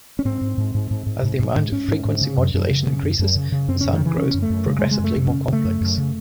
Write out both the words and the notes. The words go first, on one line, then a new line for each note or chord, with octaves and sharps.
As the amount of frequency modulation increases, the sound grows progressively more complex.
C#4
G#2 C4
G#2
G#2
G#2
G#2
G#2
G#2
G#2
G#2
G#2 C#4
G#2
G#2
C#3
F#2
F#2
C#3
C#3
F#2
F#2
C#3
C#3
F#2 C4
F#2 C#4
D#3
C#3 E3
C#3 C#4
F#2
A3
F#2
C#3 G#3
G#3
C#3
G#3
F#2 A3
F#2
C#3 C#4
C#3 A3
F#2
F#2
C#3